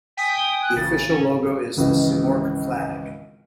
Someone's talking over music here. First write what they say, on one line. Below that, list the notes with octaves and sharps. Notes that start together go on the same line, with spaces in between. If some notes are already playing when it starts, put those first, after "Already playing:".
The official logo is the Simorq flag.
G5 G#5 D#6 B6
G7
F#6
A1 C#3 A6
C#4
G#1 C#2 C#3 E3